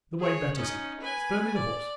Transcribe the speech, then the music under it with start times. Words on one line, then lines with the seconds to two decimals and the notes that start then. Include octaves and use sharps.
The way betters here; spur me the horse.
0.19 G#4 C#5
0.55 C#4 D#4
1.01 B4 G#5
1.54 D5